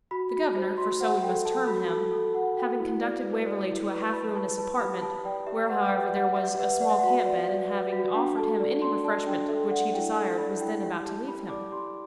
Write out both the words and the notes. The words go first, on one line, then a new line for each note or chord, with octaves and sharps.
The governor, for so we must term him, having conducted Waverley to a half-ruinous apartment, where, however, there was a small camp-bed, and having offered him any refreshment which he desired, was then about to leave him.
F#4 B5
F#4
C5
F#4 C6
C5 F#5
A4 G5
A4 A5
F#4 B5
A4 A5
A4
F#4 F#5
F#4 G5
E4
D5
B4
D5
E4
B4
B4 B5
B4 A5
B4 A5
G4 B5
G4 A5
D5 G5
G4 E5
B4 F#5
B4 G5
G4 F#5
G4 E5
B4 F#5
D5 F#5
E5
F#4 F#5
D5
D5
B4
F#4
D4 G5
A4 A5
D5
D4 C6
D5 A5
D4 G5
A4 E5
D5 F#5
E4 G5
A4 A5
D5 B5
E4 G5
G4 G5
G4 A5
G4 B5
D5 D6
G4 C6